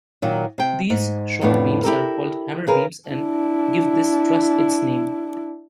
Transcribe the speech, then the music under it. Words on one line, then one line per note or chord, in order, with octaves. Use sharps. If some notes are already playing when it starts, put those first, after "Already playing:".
These short beams are called hammer-beams and give this truss its name.
A#2 D#3 F#3 A#3
C3 G5
G#2
F2 A2 B3 D4
E4 G4 A4 A#4
C#3 G#4 A#4 B4
D4 E4